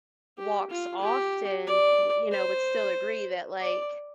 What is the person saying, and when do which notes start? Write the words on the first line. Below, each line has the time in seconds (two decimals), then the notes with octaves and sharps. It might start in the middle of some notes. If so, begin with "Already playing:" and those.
walks often, w you know, would still agree that, like
0.38 G4
0.70 F4
1.01 G4
1.67 D5
2.31 C5
3.61 D5